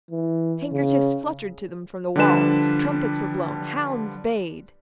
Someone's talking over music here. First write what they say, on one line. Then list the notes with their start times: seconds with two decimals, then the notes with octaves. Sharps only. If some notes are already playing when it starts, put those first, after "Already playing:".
Handkerchiefs fluttered to them from the walls; trumpets were blown; hounds bayed.
0.11 E3
0.73 C#3
2.16 D3 F3 G3 D4 B4 E7